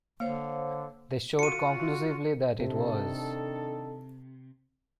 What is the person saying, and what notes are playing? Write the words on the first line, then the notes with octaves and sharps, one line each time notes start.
They showed conclusively that it was.
D3 A#3 C5 C#5 F5
F4 F#4 C#7 D#7
C3 D#3 D4 A4